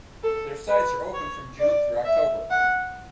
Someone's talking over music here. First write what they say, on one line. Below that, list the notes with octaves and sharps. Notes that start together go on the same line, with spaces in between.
Their sites are open from June through October.
A4
B4
C#5
D5
E5
F#5